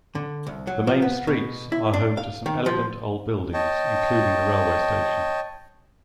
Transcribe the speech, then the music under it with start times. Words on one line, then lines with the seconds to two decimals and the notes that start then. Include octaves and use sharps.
The main streets are home to some elegant old buildings, including the railway station.
0.15 D3
0.47 C2
0.67 F#3
0.87 F3
1.02 B3
1.27 B2
1.72 E4
1.94 D4
2.17 F5
2.46 D#3
2.66 F3
3.54 C#5 D#5 G5 A5